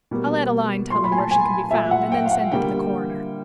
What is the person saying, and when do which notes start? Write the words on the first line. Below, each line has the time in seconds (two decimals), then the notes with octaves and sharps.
I'll add a line telling where she can be found and then send it to the coroner.
0.11 B2 G3 A#3
0.90 A#2 F#3 A3 C6
1.04 B5
1.12 G#5
1.18 A5
1.31 G#5
1.71 A#2 F#3 A3 E5
1.91 F#5
2.12 G5
2.26 F5
2.31 F#5
2.51 D3 G3 A#3 G5